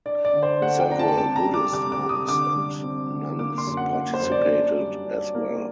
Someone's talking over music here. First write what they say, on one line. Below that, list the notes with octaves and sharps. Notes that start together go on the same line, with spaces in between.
Several Buddhist monks and nuns participated as well.
D4 D5
D5
D3
C5
A3 F#5
G5
D4 A#5
A5
G5
C4 A5
A#5
G3
D6
C3 D6
D6
C3
D#6
D3 D6
G3
C4
D3
A#3 D6
C6
F#2
F#5
A#3
C5
F#2
D5
D4
G3
D4
A#3